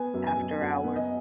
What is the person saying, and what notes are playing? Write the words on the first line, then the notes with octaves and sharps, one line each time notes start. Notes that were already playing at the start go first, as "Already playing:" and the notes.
after hours.
Already playing: B3 G#5
F#2
G#5
F#2
F#2 F#5
B3
D#5